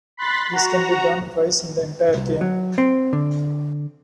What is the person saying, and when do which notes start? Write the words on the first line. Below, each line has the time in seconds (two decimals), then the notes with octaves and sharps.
This can be done twice in the entire game.
0.17 B5 C6 F#6 A6 B6
0.52 F#4 A#5
2.15 C2
2.41 F#3
2.78 C4
3.13 D3